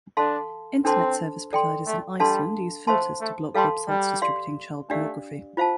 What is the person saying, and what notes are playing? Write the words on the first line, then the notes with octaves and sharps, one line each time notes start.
Internet service providers in Iceland use filters to block Web sites distributing child pornography.
D4 A4 F5 A5 C6
C4 D4 A4 C5 A5 C6
A4 D5 G5 C6
A3
G3 D4 A4 F5 A5 C6
A3 C5 F5 A5 C6
A3
G3 A4 F5 A5 C6
G3
G4 D5 F5 C6
A3 D4 G4 D5 F5
F4 C5 F5 A5